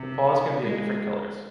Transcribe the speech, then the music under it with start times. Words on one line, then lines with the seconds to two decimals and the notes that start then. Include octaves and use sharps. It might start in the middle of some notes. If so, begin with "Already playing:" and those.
The paws can be of different colors.
Already playing: C3
0.62 G#3